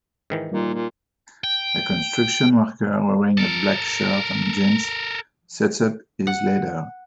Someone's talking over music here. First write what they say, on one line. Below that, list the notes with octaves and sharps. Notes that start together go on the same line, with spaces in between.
A construction worker wearing a black shirt and jeans, sets up his ladder.
G#2 D#3 E3
A#2 G3 A#3 D#4
A#2
G5
A4 A#4
F#5